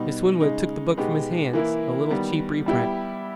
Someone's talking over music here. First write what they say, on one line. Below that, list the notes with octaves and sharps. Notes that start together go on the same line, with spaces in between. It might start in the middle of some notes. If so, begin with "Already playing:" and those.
Miss Winwood took the book from his hands--a little cheap reprint.
Already playing: B2 G3 B3 D#4
C#3 G#3 D#4
B2 G#3 B3 D#4 G4
E3 A#3 E4
D#3 G3 B3
G3 B3 E4 G4